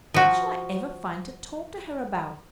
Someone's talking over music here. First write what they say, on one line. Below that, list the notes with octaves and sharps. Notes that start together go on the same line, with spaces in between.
What shall I ever find to talk to her about?
F3 F#4